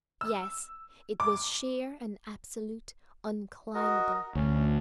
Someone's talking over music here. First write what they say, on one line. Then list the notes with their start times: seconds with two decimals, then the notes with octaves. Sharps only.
Yes, it was sheer and absolutely unclimbable.
0.21 E6
1.20 D6
3.75 F#4 A#4 D#5
4.35 D2 C#4